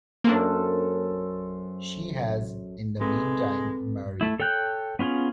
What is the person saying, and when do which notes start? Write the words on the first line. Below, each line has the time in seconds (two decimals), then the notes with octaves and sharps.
She has, in the meantime, married.
0.24 F#2 A#3 D4 A4 C5
3.01 G#3 C4 A4 B4
4.21 A3 E4
4.40 A4 C#5 G5 F#6 G6
4.99 B3 C#4 F4 G#4